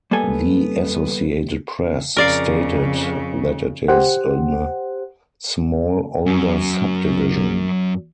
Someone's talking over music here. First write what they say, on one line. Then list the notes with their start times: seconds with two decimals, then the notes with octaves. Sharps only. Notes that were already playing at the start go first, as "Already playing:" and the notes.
The Associated Press stated that it is in "a small, older subdivision".
0.11 G3 A#3 B3 A4 G#5
2.17 F2 C#3 A#4 D5 F5
3.88 G4 C5 F#5
6.26 F#2 F#3